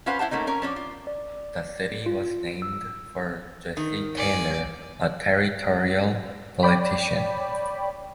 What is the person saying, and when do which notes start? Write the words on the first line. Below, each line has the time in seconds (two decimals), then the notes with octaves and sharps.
The city was named for Jesse Taylor, a territorial politician.
0.06 C#4 F4 B4 C5 F5 F#5
0.19 E4 C5 F#5 A5
0.31 A3 A#3 C#4 D#4
0.47 C#4 A#4 C#5
0.62 F3 C#4 D4
0.76 F4
1.07 D5
2.06 F4
2.62 E6
3.77 D#3
4.17 D5 G#5
6.63 C#5 D5 G5 B5